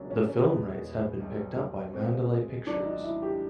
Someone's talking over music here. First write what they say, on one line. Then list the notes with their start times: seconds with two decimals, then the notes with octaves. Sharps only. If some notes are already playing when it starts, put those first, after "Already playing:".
The film rights have been picked up by Mandalay Pictures.
Already playing: C#2 B2 F#3 A#3 C#4 D4
0.10 C#4
0.29 C#4
0.46 E2 B2 G#3 B3
1.20 B1 B2 G3
1.93 C2 B2 G#3 C4
2.66 G#1 F#2 D3 F#3 D4
2.85 D#4
3.03 E4
3.22 G4